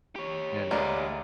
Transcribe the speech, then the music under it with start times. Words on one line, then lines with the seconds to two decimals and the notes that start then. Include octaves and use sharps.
and, uh
0.16 G4 C#5
0.71 D2 G#3 A#3 D4 D5 A#5